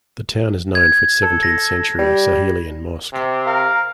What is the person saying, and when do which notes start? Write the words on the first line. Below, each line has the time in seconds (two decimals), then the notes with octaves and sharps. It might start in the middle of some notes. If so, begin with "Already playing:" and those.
The town is known for its seventeenth century Sahelian mosque.
0.75 G#6
1.23 A4
1.43 A#6
1.99 G3
3.13 C3
3.46 A#4 F5